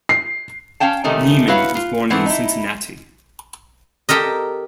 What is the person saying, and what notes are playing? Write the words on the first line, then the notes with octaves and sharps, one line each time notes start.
Nieman was born in Cincinnati.
C7
C#4 F5 G5 A5
C3 D#3 A3 C#4 D#4
E4 F#4 B4 C#5 F5
F4
E3 A3 B3 C4
D#4 E4
G4 A4 A#4 D#5